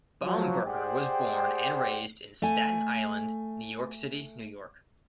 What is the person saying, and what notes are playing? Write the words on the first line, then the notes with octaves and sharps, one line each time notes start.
Bamberger was born and raised in Staten Island, New York City, New York.
F3 F#3
G4 G#4 C5 D5 F#5 G5
A3 G#5